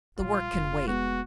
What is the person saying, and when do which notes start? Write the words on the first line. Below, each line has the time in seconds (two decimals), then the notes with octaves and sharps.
The work can wait.
0.19 A#1 G3 F4
0.53 F1
0.87 G#3 B3 F#4